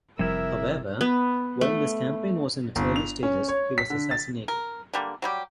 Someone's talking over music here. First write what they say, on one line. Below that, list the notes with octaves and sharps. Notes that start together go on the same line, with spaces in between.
However, while this campaign was in its early stages, he was assassinated.
F#1 C3 F3 G3 E4 A#4 E5
B3
A3
G1
F7
C#4
C#5
B6
D3
A6
A#4
D3 G3 A#3
F#3 G3 G4